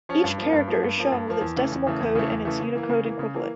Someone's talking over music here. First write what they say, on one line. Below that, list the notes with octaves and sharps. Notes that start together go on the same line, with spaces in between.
Each character is shown with its decimal code and its Unicode equivalent.
F3 C#4
G2
F3 A#3
G2
F3 A#3
G2
F3 A#3
G2
F3 A#3
E2
C#3 E3 A3
E2
C#3 E3 A3
E2
C#3 E3 A3
E2
C#3 E3 A3
C#3
E3 A#3
C#3
E3 A#3
C#3
E3 A#3